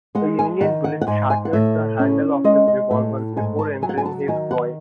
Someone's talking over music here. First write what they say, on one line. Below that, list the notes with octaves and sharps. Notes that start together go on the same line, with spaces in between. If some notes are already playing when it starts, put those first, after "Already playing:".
A Union bullet shattered the handle of his revolver before entering his groin.
G#3 F#5
G#5
D#3 F#5
F#5
F#5
G#2 G#5
G#5
F#5
A2 E5
C#4
G#3 D#5
D#5
A2 E5
G#2 G#5
A5
F#3 G#5
F#5
G#5
A5
D#3 G#5
F#5